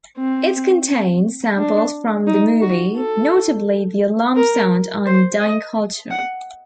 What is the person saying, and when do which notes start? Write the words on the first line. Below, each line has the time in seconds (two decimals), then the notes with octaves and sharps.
It contains samples from the movie, notably the alarm sound on "Dying culture".
0.17 C4
1.58 D4
2.27 D#4
2.61 F#4
2.96 A4
4.36 A#4
5.06 C5
5.40 D#5
6.10 F#5